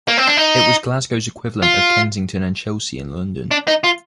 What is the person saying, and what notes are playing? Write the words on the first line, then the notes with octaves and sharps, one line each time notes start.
It was Glasgow's equivalent of Kensington and Chelsea in London.
A#3
C4
D4
D#4
F4
D4
D#4
F4